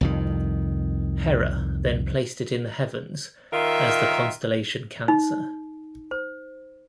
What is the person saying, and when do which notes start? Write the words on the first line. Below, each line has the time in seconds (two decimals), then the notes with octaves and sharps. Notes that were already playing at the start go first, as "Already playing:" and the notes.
Hera then placed it in the heavens as the constellation Cancer.
0.01 C2 F2 D#3
3.53 D#3 F4 A#4 E5
5.08 D#4
6.11 C5